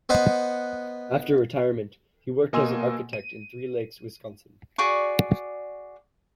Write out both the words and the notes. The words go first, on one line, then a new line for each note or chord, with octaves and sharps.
After retirement he worked as an architect in Three Lakes, Wisconsin.
B3 C5 D#5 F#5
B2 A#3 D#5 G#5 C6 E6
D#7
F#4 G#4 D5 C#6